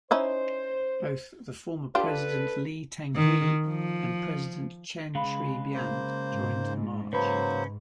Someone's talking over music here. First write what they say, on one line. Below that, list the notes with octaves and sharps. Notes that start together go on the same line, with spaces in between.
Both the former President Lee Teng-hui and President Chen Shui-bian joined the march.
C#4 D#4 E4 C5
D4 F4 G4 A4 B4
D#3
F3
C#3 G#3 B4 F5 B5
A#3 C5
G#2
C#3 F#3 A#3 C#4 B4 C5 B5